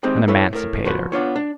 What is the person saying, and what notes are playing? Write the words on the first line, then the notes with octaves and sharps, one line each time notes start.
An emancipator?
G3 G#3 C4 D#4
E4 A4 B4 C#5
A2 A#4
F3 F#4 B5
B3 D4 F4 C#5
D4